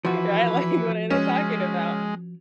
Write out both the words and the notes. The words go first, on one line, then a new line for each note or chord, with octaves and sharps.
Right. Like, what are they talking about?
E3 F3 F#4 B4
G#3 C#4